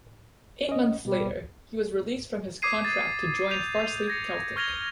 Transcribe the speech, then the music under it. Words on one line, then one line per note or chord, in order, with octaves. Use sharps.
Eight months later, he was released from his contract to join Farsley Celtic.
C#4 D#5
B2 G3
D6 D#6 G#6 C7 D#7
A6
G6 D#7 F7
G#6 A#6 C#7
C#6 F6 G#6 A#6 F7 G7